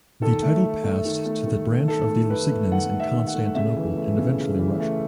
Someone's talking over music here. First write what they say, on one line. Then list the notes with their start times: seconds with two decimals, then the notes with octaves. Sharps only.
The title passed to the branch of the Lusignans in Constantinople and eventually Russia.
0.21 D#3 A4
0.43 A3
0.63 D#3
0.84 A3
1.05 D#3
1.26 A3
1.46 D#3
1.68 A3
1.88 D#3 A4
2.09 A3
2.30 D#3 B4
2.51 A3
2.72 D#3 F#5
2.93 A3
3.00 E5
3.13 D#3
3.27 F#5
3.34 A3
3.55 C#3 E5
3.76 E3
3.97 A3
4.18 C#3
4.39 C#3
4.59 E3
4.80 A3